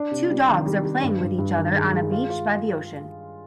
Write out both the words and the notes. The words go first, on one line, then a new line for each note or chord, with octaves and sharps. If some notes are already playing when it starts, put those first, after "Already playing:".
Two dogs are playing with each other on a beach by the ocean.
Already playing: D4
C3
G3
D#3
G3
G3
G2
G2
G2
D#3
G#3
G#3
F4
F4